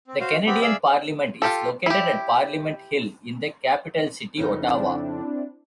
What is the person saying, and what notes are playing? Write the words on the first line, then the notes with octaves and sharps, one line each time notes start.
The Canadian Parliament is located at Parliament Hill in the capital city, Ottawa.
C4
F#4 C5 F5
B3 C4 G4 B5
G#4 D5 E5 F5 E6
F4 G4 A4
E4 G4
F2 C#3 D#4
C4 D4 E4